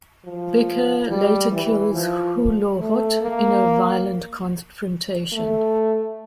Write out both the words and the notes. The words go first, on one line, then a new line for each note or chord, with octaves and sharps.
Becker later kills Hulohot in a violent confrontation.
F3
G3
E3
F3
A3
A#3
A3